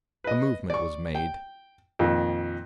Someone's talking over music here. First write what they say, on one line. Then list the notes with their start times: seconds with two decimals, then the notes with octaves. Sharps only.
A movement was made.
0.24 B4 D#5
0.70 D5 C#6
1.15 G5
1.99 F2 A#2 D#3